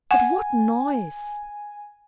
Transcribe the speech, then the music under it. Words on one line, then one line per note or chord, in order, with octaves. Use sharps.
But what noise!
F#5 G#5